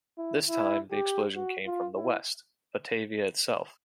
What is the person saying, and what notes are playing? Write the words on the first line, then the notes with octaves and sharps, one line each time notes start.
This time, the explosion came from the west: Batavia itself.
E4
E4
G4
F#4
F4
E4